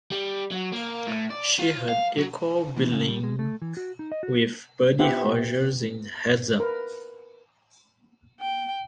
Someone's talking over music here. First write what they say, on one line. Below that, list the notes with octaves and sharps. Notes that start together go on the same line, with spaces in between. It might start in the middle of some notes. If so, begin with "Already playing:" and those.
She had equal billing with Buddy Rogers in Heads Up!
G3
F#3
A#3
A2
D5
F4
F5
F#3
E3
C#3
G3
G#3
A3
E3
F#4
D#4
D#5
F#4
B3 F4 G4 C5 E5 F#5
A#4 B4
G5